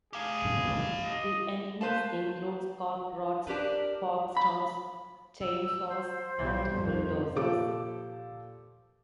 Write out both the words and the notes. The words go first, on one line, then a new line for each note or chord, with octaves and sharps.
The enemies include Corprats, Popstars, Chainsaws and Bulldozers.
G4 G#4 F5
D#5
B4 C5 F5 A5
D4 G4 A#4 B4
B5
E6
C5
B1 G3
F2
A#2 F3 G4 A4 D6